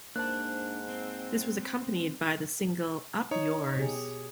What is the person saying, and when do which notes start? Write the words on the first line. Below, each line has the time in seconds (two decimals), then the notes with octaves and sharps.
This was accompanied by the single Up Yours!
0.16 G#2 A#3 D4 C5 A5 F#6
0.88 C4
3.31 D#4 C#5
3.76 B2 G4 G#4